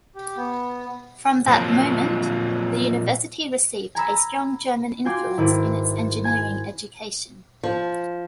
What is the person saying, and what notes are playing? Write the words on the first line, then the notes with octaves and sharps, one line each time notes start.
From that moment, the university received a strong German influence in its engineering education.
G4
B3
A#2 F3 F#3 C4
G#5 A#5 B5 E6
F4 F#4 G5 G#5 C6 D6
G#1 E4 B4 D6 D#7
G#5 G#6
F3